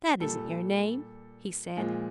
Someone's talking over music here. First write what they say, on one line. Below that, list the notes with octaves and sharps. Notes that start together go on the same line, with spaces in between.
"That isn't your name," he said.
A#2 G3 A4
A#2 F3 G#3